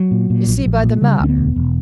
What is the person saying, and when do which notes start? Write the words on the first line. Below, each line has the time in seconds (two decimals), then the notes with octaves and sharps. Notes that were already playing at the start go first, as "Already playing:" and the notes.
You see by the map.
Already playing: F#3
0.11 A#2
0.30 A#2
0.47 A#1
0.66 A#1
0.84 A#2
1.02 C#3 G3
1.20 D2 C#4
1.29 B3
1.38 E1
1.56 E1